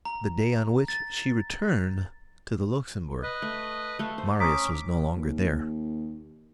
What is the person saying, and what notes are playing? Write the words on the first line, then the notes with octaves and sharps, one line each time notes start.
The day on which she returned to the Luxembourg, Marius was no longer there.
A#5
A6
B4 D#5
A3
A3 A4 F5
C5
C#4 A#5 D6 D#6 B6
D#2